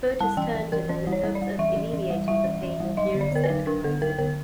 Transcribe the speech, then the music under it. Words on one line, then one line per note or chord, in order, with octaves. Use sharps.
Voters turned to him in hopes of alleviating the pain of Europe's debt crisis.
G3 A5
E3 G5
E3
E3 A#4
E3 C5
G3
C#5
G3
D5
G3
E3 E5
E3
E3
G3
G3 E5
E3
E3
G3
F#3 D#5
D3
D5
D3 A#4
B4
F#3
D4 A#4
D3 A4
F#3 A#4
D3 A#4